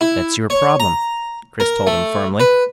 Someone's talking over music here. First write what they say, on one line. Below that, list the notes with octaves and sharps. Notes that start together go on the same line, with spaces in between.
"That's your problem," Chris told him firmly.
E4
C#5
A#5
A#4
A3
B4